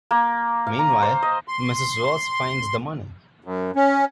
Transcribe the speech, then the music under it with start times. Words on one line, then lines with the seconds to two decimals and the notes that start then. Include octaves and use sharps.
Meanwhile, Mrs. Ross finds the money.
0.11 A#3
0.67 F5
0.79 A#5
1.02 C5
1.22 D#5
1.48 C6
3.44 F#2
3.76 C#4